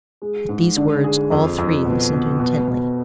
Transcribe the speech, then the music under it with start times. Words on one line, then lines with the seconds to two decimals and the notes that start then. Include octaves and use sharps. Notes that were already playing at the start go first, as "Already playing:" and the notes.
At these words all three listened intently.
0.22 G#3
0.49 G#2
0.76 D3
1.04 G#4
1.31 F2
1.58 F2
1.85 B2
2.13 B2
2.40 B2
2.68 B2